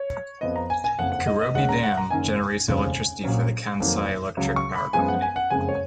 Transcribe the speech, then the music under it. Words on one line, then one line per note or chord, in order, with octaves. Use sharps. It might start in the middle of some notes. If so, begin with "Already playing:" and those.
Kurobe Dam generates electricity for the Kansai Electric Power Company.
Already playing: C#5
F2 F3 B3 D#5
A#5
G#5
G#5
F#1 F2 F3 F#5
F#5
D#5
D#5
D#2 C#3 G#3 C#4 F#5
A#5
F#5
A#5
F#1 F#2 D#3 G#5
F1 D#2 C#3 F3 G#3
A#1 A#2 F#3 C#4
F2 D#3 F#3 A#3
C#2 C#3 F#3
C#6
B5
F#2 F3 G#3 B3 G#5
F#5
G#5
F#5
F#1 F2 C#3 G#3 G#5
C#5